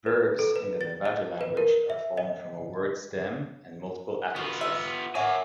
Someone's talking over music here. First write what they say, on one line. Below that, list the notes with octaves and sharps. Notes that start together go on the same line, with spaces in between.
Verbs in the Navajo language are formed from a word stem and multiple affixes.
B4
A4
B4
A6
D#5
B4
A#4
E5
D#5
B3 F4 F#4
E5
A#4 C#5 E5 F#5 G#5